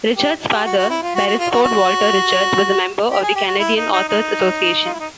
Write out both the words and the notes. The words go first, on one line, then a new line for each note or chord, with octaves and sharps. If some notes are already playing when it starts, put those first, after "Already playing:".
Richards's father, Beresford Walter Richards, was a member of the Canadian Authors' Association.
G4
G4
F#4
F#4
E4
F4
F#4
F#4
F4
F#4
F#4
G4
G#4
G4
F#4
E4
D#4
D#4
D#4
F4
E4
D#4